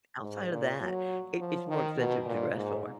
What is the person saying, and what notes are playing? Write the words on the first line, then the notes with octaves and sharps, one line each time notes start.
outside of that, it it's more expensive to dress for.
G#2
A#2
F#3
F3
D#3
B2
A#2
G#2